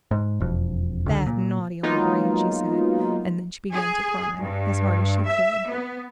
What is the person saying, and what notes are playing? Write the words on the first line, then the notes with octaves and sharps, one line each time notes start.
"Bad, naughty old rain," she said, and then she began to cry as hard as she could.
G#2
E1 F2
C#2 D3
A#2
F#3 G#3 A#3 B3 D#4 F4
G#4
G2
E5
B3